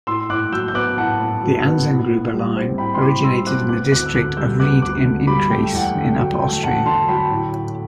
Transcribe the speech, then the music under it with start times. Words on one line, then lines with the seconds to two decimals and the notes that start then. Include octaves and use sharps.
The Anzengruber line originated in the district of Ried im Innkreis in Upper Austria.
0.07 A2 C6 E6
0.30 A2 D6 F#6
0.52 F#3 E6 G6
0.68 G6
0.75 B3 D6 F#6
0.98 A2 F#5 A5
1.20 A2
1.43 F#3
1.66 B3
1.88 A2
2.11 A2
2.34 G3
2.56 C4
2.78 A2 G5 B5
2.94 C6
3.01 A2 B5 D6
3.24 G3 C6 E6
3.46 C4 D6 F#6
3.69 B3 D6 F#6
3.92 D2 D6 F#6
4.06 E6
4.14 D3 D6 F#6
4.37 G3 E6 G6
4.59 B3 D6 F#6
4.82 D2 D6 F#6
5.05 D3
5.27 G3 B5 D6
5.50 A3 G5
5.73 E2 F#5
5.80 G5
5.95 D3
6.11 G5
6.18 F#3
6.41 A3 G5
6.63 E2 F#5 A5
6.86 D3 A5 C6
7.08 F#3 G5 B5
7.31 A2
7.54 A2